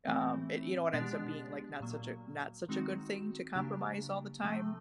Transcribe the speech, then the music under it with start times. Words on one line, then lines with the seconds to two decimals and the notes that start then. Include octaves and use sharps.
um, it you know, it ends up being, like, not such a not such a good thing to compromise all the time.
0.06 A2 E3 A3 C4
0.93 B2 G#3 B3 D4 G4
1.81 A#2 F#3 A#3
2.69 D#3 G#3 C4 D#4 F#4
3.56 C#3 F#3 A#3 D4 G4
4.43 C3 F3 A3